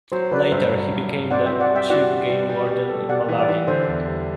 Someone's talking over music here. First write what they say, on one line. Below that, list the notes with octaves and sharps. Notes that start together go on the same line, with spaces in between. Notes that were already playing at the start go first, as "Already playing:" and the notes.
Later, he became the Chief Game Warden in Malawi.
F#3 C5
F#3 B4 D5
G2 C5 E5
F#3
G2
G2
C4 D5 F#5
F#4 E5 G5
D5 F#5
G3
E5 G5
F#4 D5 F#5
G3
G3
G3
G3
A4
G3 D5 F#5
E3
D5 F#5
E3
D3 C5 E5
E2
G3